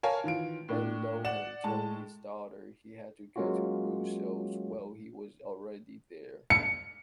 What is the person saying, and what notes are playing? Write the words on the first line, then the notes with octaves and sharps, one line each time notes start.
Ben Lohan told his daughter he had to get to Brussels while he was already there.
A#4 C#5 F5 G#5 A5
D#3 E3 F4 D7
A2 D4
D5 F#5 E7
A2 G#3 A5
F#3 G#3 A#3 C#4 F4 F#4
C#7